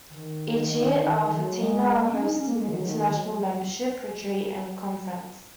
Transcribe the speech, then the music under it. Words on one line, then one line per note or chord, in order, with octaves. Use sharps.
Each year, Al-Fatiha hosted an international membership retreat and conference.
D#3
F#3
G#3
A#3
C#4
D#4
C#4
A#3
G#3
D#3
F#3
D#3
F#3